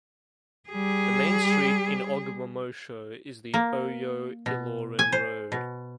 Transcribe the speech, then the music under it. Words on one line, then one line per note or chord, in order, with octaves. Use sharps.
The main street in Ogbomosho is the Oyo-Ilorin road.
G3 G#4
A#3
B2
G#5
C5
B2